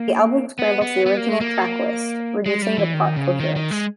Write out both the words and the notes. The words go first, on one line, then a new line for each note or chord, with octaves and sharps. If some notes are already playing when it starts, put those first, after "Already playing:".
The album scrambles the original track list, reducing the plot's coherence.
Already playing: A#3
B3
B3
B3
A#3
G#3
A#3
G#3
G3
E3
D#3
C#3
D#3
D#3
G#3